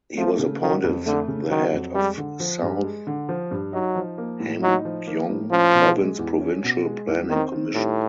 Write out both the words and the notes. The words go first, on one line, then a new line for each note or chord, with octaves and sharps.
He was appointed the head of South Hamgyong Province Provincial Planning Commission.
F3 A3
C#3
D#3 F#3
F2
D3 A3
C#3
D#3 F#3
F2
G3 G#3
D3
F3
G2
G#3
D3
F3
G2
F#3 D#4
F3
A#3
A2
F#3 D#4
F3
A#3
A2
F3 C#4
B2
G#3
E2
C#4
B2
G#3
E2
D#3 C4
D#3
A2 G3